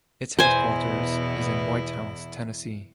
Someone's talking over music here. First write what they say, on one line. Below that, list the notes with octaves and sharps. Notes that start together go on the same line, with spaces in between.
Its headquarters is in White House, Tennessee.
E2 B2 E4 C5 G#5